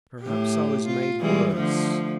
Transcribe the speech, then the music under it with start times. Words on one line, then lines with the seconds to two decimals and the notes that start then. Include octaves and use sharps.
Perhaps I was made worse.
0.22 A2 G4
0.87 F4
1.19 E3 G3 G#3
1.55 D3 F3 A3